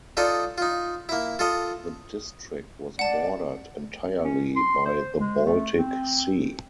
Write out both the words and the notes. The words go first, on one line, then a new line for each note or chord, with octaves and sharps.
The district was bordered entirely by the Baltic Sea.
D#4 F4 A4 D5 D#5
D#4 F4
A#3 E4
F4 A4 D#5
D5 F#5 A5
C#4
C6
C5
G#3
A3
C4